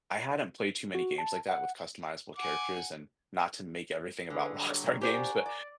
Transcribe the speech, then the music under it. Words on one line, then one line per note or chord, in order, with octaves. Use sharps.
I hadn't played too many games like that, with customizable characters, and not to make everything about Rockstar games, but
F#4
A5
F#5
F#5 G#5 D6
D3 G#4 B4
F#3 G3
F#4 G4 A#4 C5 D5 G#5
D5